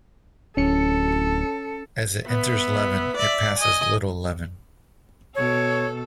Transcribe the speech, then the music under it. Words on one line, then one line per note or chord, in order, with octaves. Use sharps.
As it enters Leven it passes Little Leven.
D1 C#4 A4 C#7
B3 E5
D5 E5
D#5 G#5
B2 A4 C#5